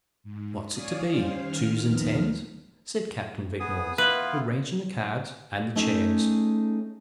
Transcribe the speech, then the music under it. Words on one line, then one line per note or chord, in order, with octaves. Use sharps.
"What's it to be:--twos and tens?" said Captain Vignolles, arranging the cards and the chairs.
G#2
C#5 D5 F5 G#5 D#6
G3 C#4 C5 F5
D#3 F6
D#2 F3 B3 D#4 F6
B3 G#4 D#6
B3 E4 F4 B4
A3 C#4 D#4 G#4